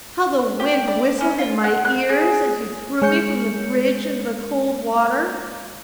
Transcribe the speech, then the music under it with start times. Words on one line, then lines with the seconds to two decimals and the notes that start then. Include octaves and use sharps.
How the wind whistled in my ears as you threw me from the bridge into the cold water!
0.60 G4
0.88 D5
1.21 C#4
1.39 F4
1.64 F#5
1.85 F#6
2.09 G#4
3.02 G#3 C#5 G6 C#7